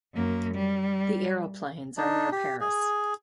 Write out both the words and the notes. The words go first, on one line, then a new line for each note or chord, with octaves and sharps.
The aeroplanes are near Paris.
F#2 A#3
G3
D4 D#4
G4
G#4